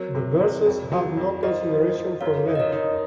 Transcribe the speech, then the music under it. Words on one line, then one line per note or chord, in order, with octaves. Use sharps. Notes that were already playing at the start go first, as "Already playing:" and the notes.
The verses had no consideration for length.
Already playing: F#3 C4 A#4 C#5
C3
C3
F2
F#3
F2
F4 C5 D#5
F3
F3
F#2 C#5 F5
D#4
D#5
A#4 C#5
D#4